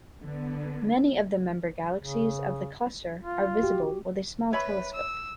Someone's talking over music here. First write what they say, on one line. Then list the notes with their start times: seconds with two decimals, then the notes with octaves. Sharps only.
Many of the member galaxies of the cluster are visible with a small telescope.
0.21 D3 B3
1.99 C#3
3.22 F4
3.63 F#4 G4
4.53 B4 C#5 E5 B5
4.94 E6